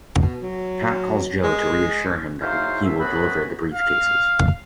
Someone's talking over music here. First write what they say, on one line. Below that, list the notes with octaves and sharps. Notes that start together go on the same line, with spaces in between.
Pat calls Joe to reassure him that he will deliver the briefcases.
B2
F#3
G#3
G#2 F#3 E4 C5 F5
C2 E5
F#2 C3 B3 F#4 G#4 B5
F5